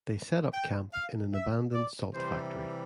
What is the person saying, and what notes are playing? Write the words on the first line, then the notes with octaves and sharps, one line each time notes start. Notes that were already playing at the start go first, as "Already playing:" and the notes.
They set up camp in an abandoned salt factory.
G5
F5
E5
D5
C3 E3 G3 C5